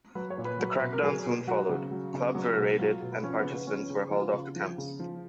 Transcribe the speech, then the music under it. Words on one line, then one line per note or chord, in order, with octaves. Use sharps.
The crackdown soon followed: clubs were raided, and participants were hauled off to camps.
F#3 B4
C#5
A#2
B4
F#3
B2
A#4
F#3 G#4
B2
F#3 F#4
C#3
F#3
C#3
F#3
B2
F#3 F4
B2
B3
F3 C#4
B3
C#3
B3
F3 C#4
C#3
F3 F4
F#4
F4
C#3
F3
C#3
F3